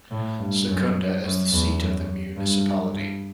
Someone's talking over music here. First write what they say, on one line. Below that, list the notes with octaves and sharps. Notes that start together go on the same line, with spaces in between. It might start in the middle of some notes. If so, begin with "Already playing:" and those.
Secunda is the seat of the municipality.
A2
G2
F#2
F#2
E2
F#2
G2
G2